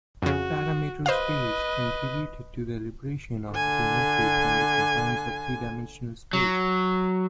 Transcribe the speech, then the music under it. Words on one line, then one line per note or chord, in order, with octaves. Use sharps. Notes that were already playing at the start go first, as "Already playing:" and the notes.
Parameter space contributed to the liberation of geometry from the confines of three-dimensional space.
F2 C#3 F#4
B4 C5 D#5 F5
D3 G#5
F#3